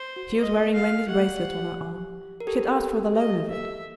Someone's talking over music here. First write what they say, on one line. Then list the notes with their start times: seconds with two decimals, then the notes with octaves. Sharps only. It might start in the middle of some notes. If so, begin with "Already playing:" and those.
She was wearing Wendy's bracelet on her arm; she had asked for the loan of it.
Already playing: C5
0.16 F#4
0.40 D#5
0.74 F5
1.08 G4 F#5
2.40 A#4
2.47 G4 A4
3.16 D#5
3.51 E5